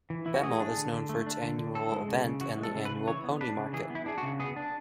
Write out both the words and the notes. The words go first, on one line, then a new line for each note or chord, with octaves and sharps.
Bemmel is known for its annual event and the annual pony market.
E3
E3 E4
F#4
A3 G#4
D4
D3
D3
A3
D4
D3
D3
E3 A4
G#3
C#3
C#3
E3 F#4
G#3
A4
C#3
B4
C#3
E3 C#5
B3
D4 B4
C#3
E3 G#4
B3
E4
D4 G#4
F#4
C#3
B3 G#4
D4